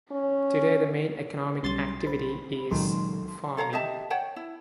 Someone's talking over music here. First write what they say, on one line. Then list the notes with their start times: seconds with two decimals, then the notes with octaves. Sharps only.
Today the main economic activity is farming.
0.12 C#4
1.63 B1 G3 C#4 C6 A6
2.06 C5 B5
2.71 C#2 A#2 D#3 F#3 A4 C6
3.57 A4 C#5 F5 A#5
3.73 G4 D#5 E5 A5
4.10 C#5 F#5 G5 A5
4.36 E4